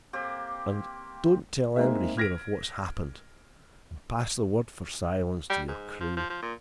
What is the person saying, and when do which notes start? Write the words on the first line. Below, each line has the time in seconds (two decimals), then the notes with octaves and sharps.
And--don't tell anybody here of what's happened, and pass the word for silence to your crew.
0.13 A#3 C4 G4
1.76 G#3 A#3 C4 D#4 G#4 E5
2.17 F6 G#6 A#6 B6 D7
5.50 G3
5.69 G#2
6.01 F3
6.17 F3
6.30 F3
6.42 A#2